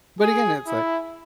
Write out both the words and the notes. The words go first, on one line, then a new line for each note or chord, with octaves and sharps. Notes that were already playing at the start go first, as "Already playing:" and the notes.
But again, it's like
G#4
E4